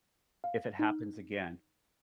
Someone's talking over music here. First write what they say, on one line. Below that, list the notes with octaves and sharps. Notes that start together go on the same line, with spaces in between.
if it happens again,
F5
D#4